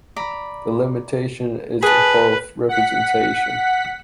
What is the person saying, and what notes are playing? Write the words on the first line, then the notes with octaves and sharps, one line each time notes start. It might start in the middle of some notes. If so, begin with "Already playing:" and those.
The limitation is the Hopf representation.
D5 A#5 B5
G#4 B4 A5
F#5 B6